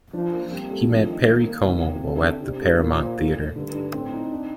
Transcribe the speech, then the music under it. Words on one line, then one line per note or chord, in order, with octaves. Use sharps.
He met Perry Como, while at the Paramount Theater.
F3 D4
A#3
G3 C4
A3
F3 D4
D#3
A#3
A#3
C3 D#3
C3
D3 A4
D4
C3 D4
A3
A#2 A#3
C5
A3
A3
G2 D3
D4
A2 C4
D#4
D4